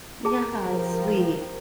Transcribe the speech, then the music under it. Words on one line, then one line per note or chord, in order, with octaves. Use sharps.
Yeah, it's sweet.
G4 G#4 A#4 A5
F3